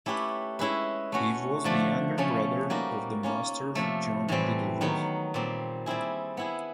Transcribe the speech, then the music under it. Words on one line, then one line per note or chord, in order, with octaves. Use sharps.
He was the younger brother of the master John Littlewood.
A3 C#4 E4 G4 B4
G#3 C#4 E4 G#4 B4
A3 C#4 F#4
D3 F3 A3 D4
C#3 F3 A3 C#4
G3 A#3 D#4 F#4 A#4
A#3 C#4 F4
C3 F3 A3
A2 E3 G3 C4
D#3 F#3 B3 D#4
A#2 G3 C4
G3 C4 E4 G#4
B3 E4 G#4